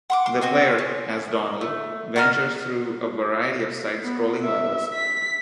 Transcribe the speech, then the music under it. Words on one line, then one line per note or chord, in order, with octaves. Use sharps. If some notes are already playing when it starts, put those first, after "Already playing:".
The player, as Donald, ventures through a variety of side-scrolling levels.
F#5 C6 D6
C6 D6
C4 F#4 D#5
C#4
A3
F#4 A#4 D#5 F6
B3
E5
B6